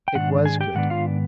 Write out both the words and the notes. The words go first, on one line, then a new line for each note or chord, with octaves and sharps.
It was good.
G5
G#2 D#3 D4 F#5
G#4 G#5
G4 G5
G#2 D#3 B3 D4 F#5
F4 F5